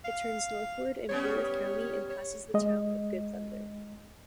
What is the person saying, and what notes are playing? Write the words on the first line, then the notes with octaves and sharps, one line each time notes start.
It turns northward in Blue Earth County and passes the town of Good Thunder.
F5
G3 B3 C#4 C#5
C#5
G#3 D#5